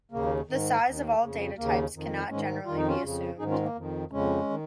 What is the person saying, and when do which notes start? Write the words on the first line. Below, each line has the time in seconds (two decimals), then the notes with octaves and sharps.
The size of all data types cannot generally be assumed.
0.12 D#2 C#3 A#3
0.48 G#2 D#3
0.85 D#2 D#3
1.21 F2 C#3
1.57 D#2 C#3 A#3
1.94 F2 D#3
2.29 G#2 D#3 G#3 C#4
2.66 F2 D#3 F4
2.77 D#4
2.87 C#4 F4
3.02 F2 C#3
3.38 G#2 D#4 G#4
3.42 D#3
3.51 C#4 F4
3.63 A#3
3.75 F2 D#3
4.11 F2 C#3 G#3 C#4
4.50 D#3